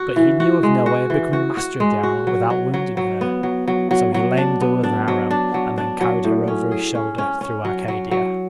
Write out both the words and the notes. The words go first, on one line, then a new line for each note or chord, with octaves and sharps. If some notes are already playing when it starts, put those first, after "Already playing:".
But he knew of no way of becoming master of the animal without wounding her, so he lamed her with an arrow and then carried her over his shoulder through Arcadia.
Already playing: F#4
E3
F#4
G#3
F#4
E3
F#4
F#4
G#3
F#4
F#3
F#3
F#3
F#3
B3
F#3
F#3
F#3
F#3
D4
B3
D4
F#3
D4
F#3
D4
F#3
A2
C#4
G#4
C#4
C#4
C#4
F#3
F#3
F#3